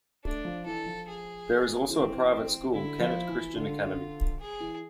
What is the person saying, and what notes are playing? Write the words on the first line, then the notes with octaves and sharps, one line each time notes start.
There is also a private school, Kennett Christian Academy.
A3 D4
F3
E3 A4
F3
G#4
E3 C4
D3 E4
F3
E3
D3 F4
G#4
E3